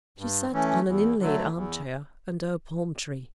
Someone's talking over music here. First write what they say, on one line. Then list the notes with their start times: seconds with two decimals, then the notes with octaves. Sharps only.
She sat on an inlaid armchair under a palm-tree.
0.18 G2
0.52 E3 A3 C#4
0.87 E2
1.20 D3 F#3 A3
1.54 E2